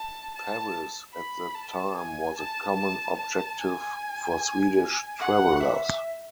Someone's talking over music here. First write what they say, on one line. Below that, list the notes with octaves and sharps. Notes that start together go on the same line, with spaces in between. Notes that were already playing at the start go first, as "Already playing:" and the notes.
Paris at that time was a common objective for Swedish travelers.
Already playing: A5
A5
B5
A5
G#5
A5
A5
A5
G#5
F#5
E5